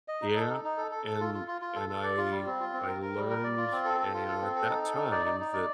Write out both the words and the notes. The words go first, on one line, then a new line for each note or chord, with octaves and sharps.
Yeah, and and I I learned, eh, you know, at that time that,
D#5
D#4
A4
D#4
D#4
A4
A4
A4
F4
F4
F4
F4
A4
A4
D5
F4
G3
C4
F4
C4
A#4
A#4
G3
A#4
D5
F4
C4
A4
A4
F4
A4
C4
A4
D#4
A4
D#4
D5
D#4
D#4
D5